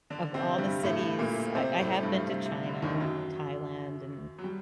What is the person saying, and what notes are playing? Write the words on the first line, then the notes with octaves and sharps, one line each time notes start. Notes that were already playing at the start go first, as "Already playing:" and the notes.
of all the cities I I have been to China and Thailand and,
D3 D4
C3 C4
G2 G3
A2 A3
A#2 A#3
C3 C4
A2 A3
G2 G3
C3
C3
D3
D#2 D#3
D#3
F#2 F#3
F#3
G3